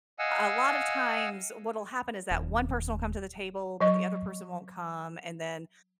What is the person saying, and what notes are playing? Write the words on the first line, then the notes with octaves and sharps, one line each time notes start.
a lot of times what'll happen is that one person will come to the table, but the other person won't come. And then
D#5 F5 F#5 G#5 E6
D#1
F#3 D#5 C#6